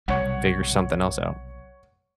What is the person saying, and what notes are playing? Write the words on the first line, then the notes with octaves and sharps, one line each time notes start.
figure something else out.
B1 C3 G3 C#5 F#5